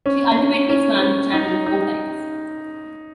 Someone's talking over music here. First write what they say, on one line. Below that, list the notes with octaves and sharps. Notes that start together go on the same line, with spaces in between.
She ultimately swam the Channel four times.
C#4
C#4
C#4
C#4
D#4
D#4